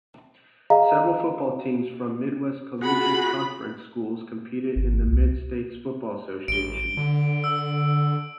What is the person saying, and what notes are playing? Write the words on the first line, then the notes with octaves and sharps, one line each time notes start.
Several football teams from Midwest Collegiate Conference schools competed in the Mid-States Football Association.
G#4 D#5 F5 A#5
F4 F#4 G#4 F#5 B5
G#1
C2
A1 D7 G7
D3
E6